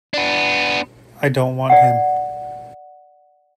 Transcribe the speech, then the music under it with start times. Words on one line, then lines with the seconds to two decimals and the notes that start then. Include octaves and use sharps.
I don't want him.
0.14 B3 D4
1.70 D5 F#5